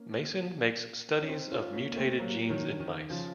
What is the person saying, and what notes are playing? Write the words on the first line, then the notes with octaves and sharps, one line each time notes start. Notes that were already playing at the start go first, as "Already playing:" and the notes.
Mason makes studies of mutated genes in mice.
Already playing: A#3 C#4
C#4
C4 D#4
C#4 F4
A#3 C#4
A#3
A3 C4
F#3 A#3
D#3 F#3
D#3
C#3 F3